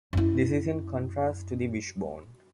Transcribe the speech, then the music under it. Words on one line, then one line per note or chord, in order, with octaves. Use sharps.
This is in contrast to the wishbone.
F#2 E4